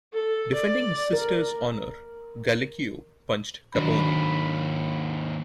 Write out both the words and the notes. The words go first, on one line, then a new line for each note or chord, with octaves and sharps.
Defending his sister's honor, Gallucio punched Capone.
A4
D5
A#4
D#2 G#2 D#3 F#3 D4 B5